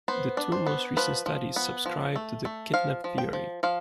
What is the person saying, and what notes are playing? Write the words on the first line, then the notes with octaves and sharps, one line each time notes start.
The two most recent studies subscribe to the kidnap theory.
B3 C5
D4
C5
B3
F3 B4
F3
B3
F3
A3
A3
F3 F5
F3
G5
F3
F3 F5